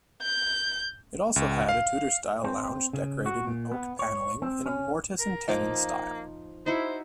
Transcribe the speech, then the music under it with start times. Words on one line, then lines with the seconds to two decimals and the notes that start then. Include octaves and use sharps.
It also had a Tudor-style lounge decorated in oak paneling in a mortise-and-tenon style.
0.22 G6
1.36 C#2
1.69 F5
2.44 C4
2.93 C#3
3.26 F#4
3.47 A#2
3.72 B3
3.99 C#5
4.42 C4
4.66 C#4
5.20 A#4
5.48 F3 A#3 D#4 D6
6.66 D#4 E4 F#4 C5